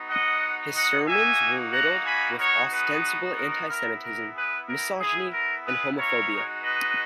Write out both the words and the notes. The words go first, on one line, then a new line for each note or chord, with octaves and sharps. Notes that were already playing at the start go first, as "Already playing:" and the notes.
His sermons were riddled with ostensible anti-Semitism, misogyny, and homophobia.
Already playing: B3 D#4 F#4
D#5 F#5
D#5 F#5
A#3 D#4 F#4 E5 G#5
F#5 A#5
G#5 B5
B3 D#4 F#4 A#4 C#5
G#4 B4
A#4
B3 E4 A#4
A#4
G#4 B4
A#4
B3 E4 G#4
A#4
G#4 B4
A#4 C#5
G#3 D#4 F#4
B4 D#5